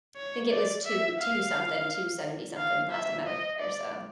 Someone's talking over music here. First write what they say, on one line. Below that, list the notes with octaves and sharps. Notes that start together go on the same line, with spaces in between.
I think it was two two something, two seventy something last time I was there, so
C#5
D5
E5
F5
F5
E5
D#5
D5